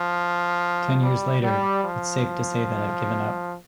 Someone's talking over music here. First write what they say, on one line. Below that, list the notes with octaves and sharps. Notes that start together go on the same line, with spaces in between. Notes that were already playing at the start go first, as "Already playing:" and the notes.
Ten years later, its safe to say that I've given up.
Already playing: F3
G3
G3
F3